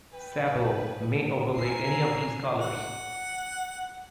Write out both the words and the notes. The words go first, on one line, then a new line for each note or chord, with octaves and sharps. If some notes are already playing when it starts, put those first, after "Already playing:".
Sable may overlay any of these colors.
B4 G5
A4 A#4 G#5 C7
F#5